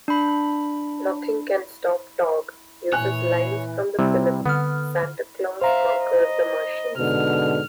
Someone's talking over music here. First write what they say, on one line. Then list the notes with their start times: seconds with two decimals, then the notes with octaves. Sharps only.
"Nothing Can Stop Torg" uses lines from the film "Santa Claus Conquers the Martians".
0.08 D4 B5
2.93 A#2 E3 C#5 G#5 F#6
3.99 C3 G3 C4 E4
4.46 D3 B3 F6
5.62 C5 E5 F5 A#5
6.04 D#5
6.98 G#2 B2 D3 F6